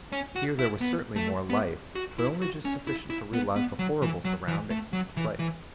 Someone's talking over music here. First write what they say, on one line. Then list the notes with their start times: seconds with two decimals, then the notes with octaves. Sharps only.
Here there was certainly more light, but only just sufficient to realise the horrible surroundings of the place.
0.12 C#4
0.36 F#4
0.59 E4
0.81 B3
1.16 A3
1.50 B3
1.95 F#4
2.19 E4
2.42 F#4
2.65 C#4
2.87 E4
3.10 E4
3.33 B3
3.56 B3
3.79 F#3
4.02 E3
4.25 F#3
4.48 E3
4.70 A3
4.93 F#3
5.17 E3
5.39 E3